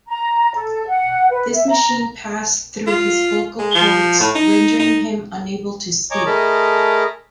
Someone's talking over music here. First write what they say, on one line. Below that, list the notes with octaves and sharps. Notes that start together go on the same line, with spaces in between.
This machine passed through his vocal cords rendering him unable to speak.
A#5
A4
F#5
B4
E5
A#5
F4
G#3
F3
A2
D#4
D#4
C#5 D#5 G#5 A#5 D6
A3 G#4 A#4 D#5 A5 B5